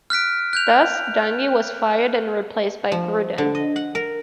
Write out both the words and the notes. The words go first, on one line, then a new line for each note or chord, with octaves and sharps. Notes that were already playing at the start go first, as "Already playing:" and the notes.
Thus, Dungy was fired and replaced by Gruden.
F6 F#6 B6 D7
F#6 G6 F7
F3
D3
D#5
F#5
A#4